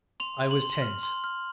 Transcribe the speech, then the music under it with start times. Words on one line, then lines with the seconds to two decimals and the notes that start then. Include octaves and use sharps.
I was tense.
0.20 C6 F7
0.41 C6
0.51 F#7
0.62 C6
0.82 F6
1.03 C6
1.24 F6